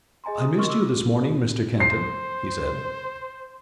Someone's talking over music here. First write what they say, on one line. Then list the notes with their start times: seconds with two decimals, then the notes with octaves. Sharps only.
"I missed you this morning, Mr. Kenton," he said.
0.24 G#4 D#5 G#5 A#5 C6
0.41 D#6
0.58 A#4 D#5 C6 C#6 F6
0.69 D6 E6
0.82 F4
1.80 C5 C7